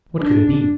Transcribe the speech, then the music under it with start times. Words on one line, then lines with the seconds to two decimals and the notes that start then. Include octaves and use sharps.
What could it be?
0.19 D4